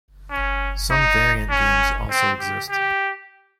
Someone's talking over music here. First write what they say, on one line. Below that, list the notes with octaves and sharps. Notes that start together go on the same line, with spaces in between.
Some variant games also exist.
C#4
D#4
C#4
C4
G4
G4